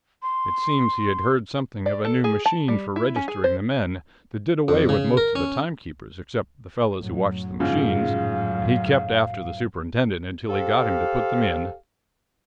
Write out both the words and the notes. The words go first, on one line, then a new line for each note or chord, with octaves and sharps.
It seems he had heard something of a new machine for registering the men, that did away with most of the timekeepers except the fellows who watched the machines, and he kept after the Superintendent until he got him to put them in.
C6
D5
A4
G#4
A5
G3
E4
C#4
G#4
C5
F2
C#3
A#4
C#4
F#2 A2 F#3
G#2 C#3 F3 F5
G4 A4 C5 F5